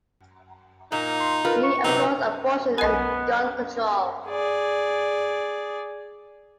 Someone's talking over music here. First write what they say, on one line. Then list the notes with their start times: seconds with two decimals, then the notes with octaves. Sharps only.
He opposed abortion and gun control.
0.92 A#2 A#3 D#4
1.20 C6
1.45 F4 A#4 B4
1.63 C#6
1.84 C3 F#3 C4 D#4 B4
2.78 B1 B3 A#4 D#5 G#5
4.27 G#4 D5